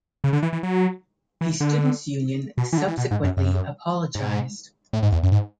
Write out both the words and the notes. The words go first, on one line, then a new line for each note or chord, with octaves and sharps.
The Students' Union subsequently apologized.
C#3
D3
E3
E3
F#3
E3
D3
B2
E3
D3
E3
B2
G#2
F#2
F#2
G#2
A2
G#2
E2
F#2
G#2